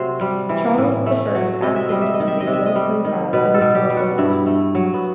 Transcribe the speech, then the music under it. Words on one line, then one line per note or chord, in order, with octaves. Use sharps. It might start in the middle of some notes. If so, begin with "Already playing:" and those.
Charles the First asked him to keep a low profile in public life.
Already playing: C3 F#3 A3 C5
G3
E3
A2
A3
F#3
C3 D#5
E5
G3 D#5
E5
D#5
D#3
E5
D#5
C3
E5
D#5
G3
D#3
B2 B4
A4
B2
G4
G3
F#4
G2 E4
A3
F#3
B3